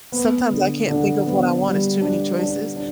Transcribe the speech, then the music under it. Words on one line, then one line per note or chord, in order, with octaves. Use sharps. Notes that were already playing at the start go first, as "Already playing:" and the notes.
Sometimes I can't think of what I want, it's too many choices.
B3
D3
D3
B3
G3
D4
D4
D4